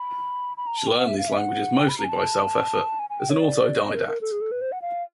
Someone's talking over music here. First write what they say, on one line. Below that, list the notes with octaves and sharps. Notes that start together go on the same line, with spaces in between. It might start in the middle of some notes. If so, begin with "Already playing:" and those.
She learned these languages mostly by self-effort, as an autodidact.
Already playing: B5
B5
A#5
A5
G5
F#5
E5
F5
E5
F#5
G5
B5
A#5
G#5
A5
G#5
G#5
G5
C#5
D5
D#5
A#4
A#4
A4
G#4
A4
B4
C5
F#5
F5